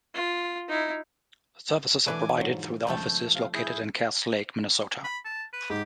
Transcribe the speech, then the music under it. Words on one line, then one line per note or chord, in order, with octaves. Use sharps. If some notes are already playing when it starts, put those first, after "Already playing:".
The services are provided through their offices located in Cass Lake, Minnesota.
F4
D#4 E4
B2 E3 A3 D4 B4 G#5 D6
G#2 F3 F#3
G#1 C#2 F3 A3 A4 G6
C3 F5
E4 G#4 G6
B5
A5
B4
G#2 G4